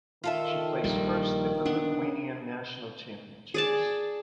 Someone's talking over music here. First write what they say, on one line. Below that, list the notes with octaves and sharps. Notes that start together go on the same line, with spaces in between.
She placed first at the Lithuanian national championships.
D#3 F4 A4 E5
A#1 G3
B3 D4
G#4 D5 A5